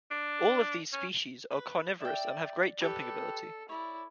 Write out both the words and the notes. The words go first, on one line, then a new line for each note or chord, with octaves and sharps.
All of these species are carnivorous and have great jumping ability.
D4
C#4
B4
D5 E5 G5
G4 A4 B4
E4 C#5 D5